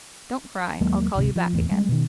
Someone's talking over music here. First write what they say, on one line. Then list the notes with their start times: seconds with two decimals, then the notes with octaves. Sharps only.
"Don't cry, I'll call you back again."
0.81 D#2 F#3 G#3 A#3
1.15 D1 G#1 C3
1.36 F3
1.53 D1 E2 A2
1.71 G3 G#3
1.89 B2 D#3